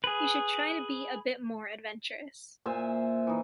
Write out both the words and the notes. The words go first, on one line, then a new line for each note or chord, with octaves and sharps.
You should try to be a bit more adventurous.
G#4 B4
A#2 C5 E5 G#5
E3 D#4